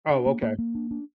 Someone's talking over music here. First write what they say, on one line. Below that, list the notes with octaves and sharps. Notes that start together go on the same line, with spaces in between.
Oh, okay.
D4
A#3
A#3
A#3
D4
D4